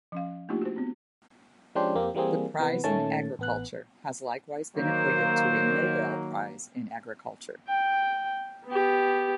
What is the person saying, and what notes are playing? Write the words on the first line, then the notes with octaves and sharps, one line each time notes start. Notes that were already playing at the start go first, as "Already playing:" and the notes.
The Prize in Agriculture has likewise been equated to a "Nobel Prize in Agriculture".
F3 C#4 F5
A3 A#3 D4 D#4 F4 G4
F#4 C5
B3 C4
F3 G#3 C#4 D4 G4 C5
F2 A#3 C4 G4
E3 G3 A#3 C4 G#4
C3 E3 B3 B4
A#2 D#3 A3 C#4 A5
A1 B3 F#6
D#3 F#3 A#3 C5
G5
B3 G4